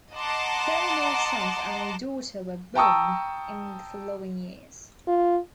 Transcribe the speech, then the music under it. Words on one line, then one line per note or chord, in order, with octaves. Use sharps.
Four more sons and a daughter were born in the following years.
D#5 F#5 A5 A#5 C6 D6
G5 A5 A#5 C#6 D#6 E6
F4